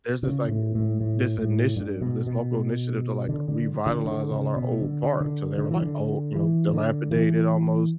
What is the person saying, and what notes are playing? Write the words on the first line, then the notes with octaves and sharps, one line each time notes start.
there's this, like, r this initiative, this local initiative to, like, revitalize all our old parks, 'cause they were, like, old, you know, dilapidated almost,
C#3
A2
A2
A2
A2
G2
B2
B2
D3
D3
D3
D3
C#3
B2
D3
D3
D3
E3
D3
E3
D3
E3